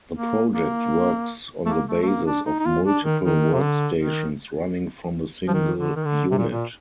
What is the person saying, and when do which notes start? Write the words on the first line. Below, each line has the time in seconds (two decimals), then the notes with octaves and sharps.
The project works on the basis of multiple workstations running from a single unit.
0.16 A#3
0.55 A#3
1.66 A3
1.69 A#3
1.89 A3
2.03 A3
2.08 A#3
2.27 D4
2.46 D#4
2.59 D#4
2.66 F4
2.86 D4
3.04 D#3
3.24 D#3
3.53 C3
3.62 D3
4.00 D#3
5.48 F3
5.53 D#3
5.79 D3
5.96 D#3
6.05 D3
6.31 C3
6.38 A#2
6.52 A#2